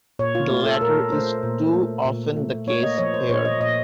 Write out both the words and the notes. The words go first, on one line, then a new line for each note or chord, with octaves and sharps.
The latter is too often the case here.
A#2 C#5
F4
A3 F4
A4
A#2 A#4
A3 C5
A#2
A3
A#2
A3
A#3 C#5
D#5
F3 C#5
C5
A#2 C#5
D#5
A#2 D#5